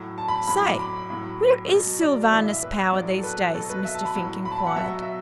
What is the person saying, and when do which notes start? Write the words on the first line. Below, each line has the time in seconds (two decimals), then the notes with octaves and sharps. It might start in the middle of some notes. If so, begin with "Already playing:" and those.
"Say, where is Sylvanus Power these days?" Mr. Fink enquired.
Already playing: A2 F#3
0.18 A5
0.28 B5
0.48 A2 F#3 B5
0.63 D6
0.79 B5
1.10 A2 F#3
1.70 B2 F#3
2.01 D5
2.32 E3 D5
2.36 A2
2.42 E5
2.52 E5
2.63 B4
2.93 A2 F#3 D5
3.18 A4
3.23 B4
3.54 B2 A4
3.58 F#3
3.70 B4
3.85 E5
3.95 A5
4.05 B5
4.15 A2 F#3
4.45 B5
4.51 A5
4.56 B5
4.66 F#5
4.76 B2 F#3 E5
5.02 E5